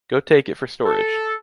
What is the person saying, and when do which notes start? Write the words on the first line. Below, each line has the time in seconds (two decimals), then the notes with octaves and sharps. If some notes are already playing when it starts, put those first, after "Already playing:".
Go take it for storage.
0.85 A4